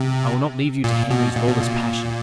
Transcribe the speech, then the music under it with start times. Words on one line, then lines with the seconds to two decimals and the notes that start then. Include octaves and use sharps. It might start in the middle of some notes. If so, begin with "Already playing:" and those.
"I will not leave you to Henry's lawless passion."
Already playing: C3
0.84 A#2
1.11 B2
1.36 A#2
1.48 B2
1.60 A#2